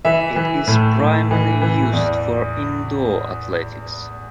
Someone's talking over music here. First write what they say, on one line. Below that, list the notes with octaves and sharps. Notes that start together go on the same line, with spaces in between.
It is primarily used for indoor athletics.
E3 E5
E3
A2
A2
E3
E3
E2 D5